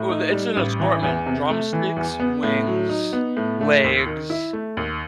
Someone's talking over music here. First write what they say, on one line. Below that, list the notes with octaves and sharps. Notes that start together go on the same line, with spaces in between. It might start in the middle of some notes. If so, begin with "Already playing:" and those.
Well, it's an assortment, drumsticks, wings, legs,
Already playing: A2
D#4
G3
A1
E3
E2
C3
A3
E3
E2
B3
A2
F#3
D#4
B3
A2
A3
D#2
D#3
E4
A3
D#2